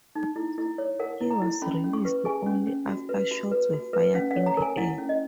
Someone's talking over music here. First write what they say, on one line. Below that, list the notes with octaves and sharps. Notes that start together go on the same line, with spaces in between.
He was released only after shots were fired in the air.
D#4
E4
E4
C#5
A#4 F#5
E4
A#5
E4
C#4 B5
C#4
C#6
B4
G#4 G#5
C#4
C#4
F#4
B4
F#4
B4
F#4
B4
C#4 F#5
F#5
C#5
A#5
A#4 G#5
E4 F#5
C#4
D#5